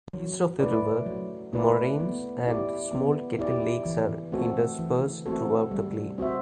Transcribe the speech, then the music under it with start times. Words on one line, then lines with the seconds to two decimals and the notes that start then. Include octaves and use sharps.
East of the river, moraines and small kettle lakes are interspersed throughout the plain.
0.13 F#3
0.60 A3 E4 B4 D5
1.06 F#3
1.53 A3 E4 B4 D5
2.00 B3
2.47 E4 G4 D5
2.93 B3
3.39 E4 G4 D5
3.85 E3
4.32 A3 C4 F#4 A4
4.79 E3
5.26 A3 C4 F#4 A4
5.71 G3
6.18 C4 F#4 C5 E5